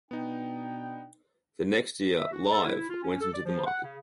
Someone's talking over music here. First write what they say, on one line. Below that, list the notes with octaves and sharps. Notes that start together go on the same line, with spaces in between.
The next year, “Live” went into the market.
B2 B3 D4 D#4 G5
E5
F#4
A4
E4
F4
C#4
A4
D5
F3
F#5
C#3